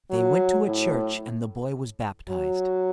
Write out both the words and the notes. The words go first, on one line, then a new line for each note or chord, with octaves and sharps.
They went to a church and the boy was baptized.
F#3
A2
F#3